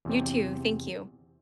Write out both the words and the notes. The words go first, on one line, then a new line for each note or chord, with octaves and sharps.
You too. Thank you.
E2 C3 C4